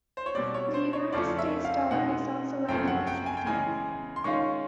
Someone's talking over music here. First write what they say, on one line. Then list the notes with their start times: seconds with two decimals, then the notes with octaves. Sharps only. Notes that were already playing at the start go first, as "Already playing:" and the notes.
The United States dollar is also widely accepted.
0.17 C5
0.26 C#5
0.35 B2 G3 C4 D5
0.54 C#5
0.74 C5
0.93 C#5
1.13 F2 C#3 F3 A3 C#4 D5
1.38 E5
1.65 F5
1.91 B2 G#3 B3 D#4 F#5
2.69 F#2 C#3 F3 A3 C4 G5
2.88 F#5
3.07 G5
3.26 G#5
3.37 G5
3.46 C#3 E3 G#3 G#5
4.16 C6
4.24 D#3 G#3 C#4 F4 C#6